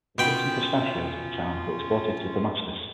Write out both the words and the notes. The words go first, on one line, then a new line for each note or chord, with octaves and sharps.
The figs and pistachios of the town were exported to Damascus.
B2 C#4 F4 G5 B5